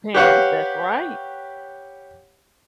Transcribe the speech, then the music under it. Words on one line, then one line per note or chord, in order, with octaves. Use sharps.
Hands, that's right.
G4 B4 C#5 F5 F#5